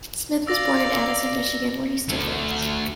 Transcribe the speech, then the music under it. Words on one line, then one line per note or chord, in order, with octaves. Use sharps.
Smith was born in Addison, Michigan, where he still lives.
D5 F5 E6 A#6
D2 D3